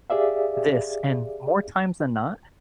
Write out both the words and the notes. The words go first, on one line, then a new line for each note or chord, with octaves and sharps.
this," and more times than not,
G4 G#4 D5 E5 F5